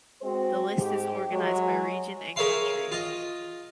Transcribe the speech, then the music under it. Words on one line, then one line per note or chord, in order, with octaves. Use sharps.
The list is organized by region and country.
G#3 C4 F#4 C5
G#2 G4
F#3 G#3
G#4 A#4 C#5 E5 F5 C6
F4 D#5